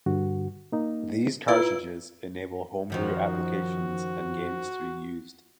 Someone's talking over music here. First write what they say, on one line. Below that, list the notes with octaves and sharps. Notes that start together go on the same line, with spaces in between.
These cartridges enable homebrew applications and games to be used.
G2 D3 F#4
A#3 D#4
E4 F4 B4 E6
F#2 D#3 F3 F#4